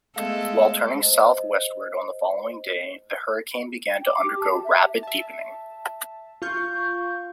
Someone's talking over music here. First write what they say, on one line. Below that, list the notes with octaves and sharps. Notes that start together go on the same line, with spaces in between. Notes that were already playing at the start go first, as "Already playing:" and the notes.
While turning southwestward on the following day, the hurricane began to undergo rapid deepening.
G#3 A3 B3 A4 D#5 F5
C5 D#5
G5
D6
G4
A5
G4
E5
E5 A5
F4 F5 C#6 G6